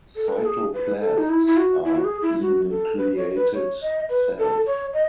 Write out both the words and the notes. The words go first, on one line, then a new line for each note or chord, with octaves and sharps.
Cytoplasts are enucleated cells.
A4
B4
A4
G#4
B4
A4
D#4
E4
E4
F#4
E4
F#4
G#4
E4
F#4
A4
B4
C#5
B4
C#5
D#5
B4
A4
C#5
D#5